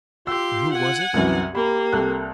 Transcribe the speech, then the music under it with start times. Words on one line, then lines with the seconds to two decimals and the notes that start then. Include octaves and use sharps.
And who was it?
0.27 F4 G4 C6 E6
0.72 F#5 G#5
1.14 C2 F#2 E3
1.55 A#3 G4 B5
1.93 C2 A4 F#6